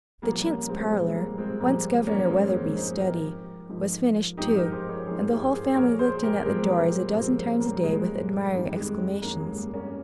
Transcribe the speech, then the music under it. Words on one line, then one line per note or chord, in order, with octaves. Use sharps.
The chintz parlor, once Governor Weatherby's study, was finished too, and the whole family looked in at the doors a dozen times a day with admiring exclamations.
A#2 F3 G3 A#3
A#3 C#4
G#3 C4
A#2 F3 G#3
G3 A#3
G#3 C4
A#2 F3 G3 A#3
A#3 C#4
A#2 F3 G#3 C4
A#3
G#3 C4
C4 D#4
G#2 F3 G4 A#4
G#2 F3
G#2 F3 D#4 G4
G4 A#4
G#4 C5
A#4 C#5
G#2 F3 G#4 C5
G4 A#4
G#4 C5
A#2 F3 A#4 C#5
G#4 C5
G4 A#4
A#2 F3 G#3 C4
G3 A#3
G3
A#2 F3 G#3 C4
A#3 C#4
G3 A#3
A#2 F3 G#3
F2 D#3 G3
G#3
F2 D#3 A#3 C#4
G#3
G3 A#3
A#3 C#4